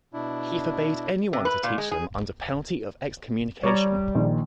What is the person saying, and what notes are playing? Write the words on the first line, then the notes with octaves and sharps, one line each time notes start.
He forbade anyone to teach them under penalty of excommunication.
B2 D4 E4
C3
B4
A#2
G#3
G#4
G3 C#5 D5 A#5
A#1 A#2 D#3